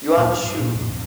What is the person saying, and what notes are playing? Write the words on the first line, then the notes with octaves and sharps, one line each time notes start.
Yuan Shu.
D2 A#2
F#3
G2
A#2
F2 A#2
F2 F3 C4